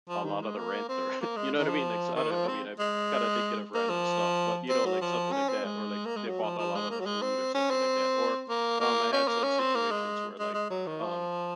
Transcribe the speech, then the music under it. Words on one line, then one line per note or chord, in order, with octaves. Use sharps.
a lot of the rent or, you know what I mean? Like, so, I know I mean, I'm kinda thinking of random stuff. But, you know, like something like that, or, like, they bought a lot of the food or something like that. Or, um, I had some situations where, like, um,
F3
D#3
G#3
A#3
C4
A#3
G#3
D#3
F3
D#3
F3
C4
G#3
A#3
F3
C4
F#3
F3
C#4
C4
G#3
A#3
G#3
F#3
F3
F3
G#3
A#3
F#3
G#3
C4
C#4
C4
A#3
A#3
C#4
A#3
C#4
C4
A#3
G#3
G#3
G#3
F#3
D#3
F3